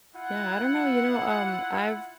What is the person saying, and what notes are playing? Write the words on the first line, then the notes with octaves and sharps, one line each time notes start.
Yeah, I don't know, you know, um, I've
E4 F4 F#5